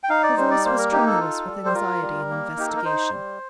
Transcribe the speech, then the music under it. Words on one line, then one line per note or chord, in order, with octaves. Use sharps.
Her voice was tremulous with anxiety and investigation.
G5
D#4 F5
D5
G3 C5
D5
A#3 C5
A#4
D#4 G4
A4
F4
G3
C5
F4 A#4
G3
A#3
D#4 G4
A4
A#4
D#4 C5
G3